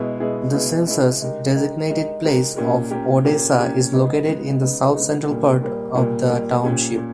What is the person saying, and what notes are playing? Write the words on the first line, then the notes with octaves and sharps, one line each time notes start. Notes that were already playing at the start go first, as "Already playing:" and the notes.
The census-designated place of Odessa is located in the south-central part of the township.
Already playing: B2 G#3 B3 E4 G#4
B2 G#3 B3 E4 G#4
B2 G#3 B3 E4 G#4
B2 G#3 B3 E4 G#4
G#3 D#4 G4 A#4
G#3 D#4 G4 A#4
G#3 D#4 G4 A#4
G#3 D#4 G4 A#4
A#2 A#3 C#4 G4 A#4
A#2 A#3 C#4 G4 A#4
A#2 A#3 C#4 G4 A#4
A#2 A#3 C#4 G4 A#4
C#3 G#3 B3 D#4
C#3 G#3 B3 D#4
C#3 G#3 B3 D#4
C#3 G#3 B3 D#4
A#2 G3 A#3
A#2 G3 A#3
A#2 G3 A#3
A#2 G3 A#3
A#2 A#3 C#4 G4
A#2